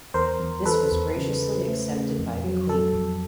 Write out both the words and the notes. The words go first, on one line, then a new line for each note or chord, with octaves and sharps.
This was graciously accepted by the Queen.
E2 A#4 C5
E2
E3 A4 B4
E2
C#3
C#3
A3
C#3
F2
F#3
F#3 A4
F2